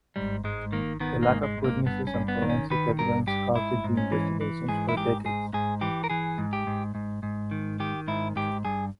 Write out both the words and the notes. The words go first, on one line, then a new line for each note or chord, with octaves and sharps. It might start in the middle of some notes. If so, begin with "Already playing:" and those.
The lack of witnesses and forensic evidence halted the investigations for decades.
G#2 G3
G#2 G#3
D#3 A#3
D#3 B3
A#3
G#2
G#3
G#2
A#3
G2 B3
C#4
G2
B3
D#3
C#4
D#3 B4
G2 A#4
G2 G4
G#2 E4
G#2
C#4
E3
E3
G#2 G#4
E4
G#2 G4
G#2 G#4
G#2 G#4
E3 G4
A#4
E3 G#4
G#2
G4
G#2
G#2
G#2
D#3
D#3 G4
G#2 E4
G#2 G4
G2 G#4